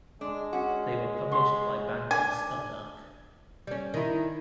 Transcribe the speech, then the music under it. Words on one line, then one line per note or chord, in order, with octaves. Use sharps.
They were published by Bantam Skylark.
G#3 D4
C#4 F#4
B3 C6
D4 G#5
G3 C#4
D#3 E4